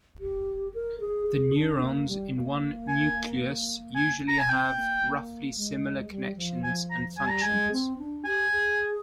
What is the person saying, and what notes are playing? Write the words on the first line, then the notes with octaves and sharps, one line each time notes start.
The neurons in one nucleus usually have roughly similar connections and functions.
G4
A#4
G#4
G#4
D4
A#3
G3
A#3
G#5
G#5
A#5
G#5
C4 G5
A#3
A#3
G#3
G3
F3
F3 G#5
A#5
G3 G#5
A#5
G#3 G#5
C4
D4
G4 G#5
G#4